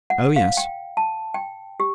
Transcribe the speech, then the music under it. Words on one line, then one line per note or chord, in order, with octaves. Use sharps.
Oh, yes!
F#5
F5
G5
A5
G5
G4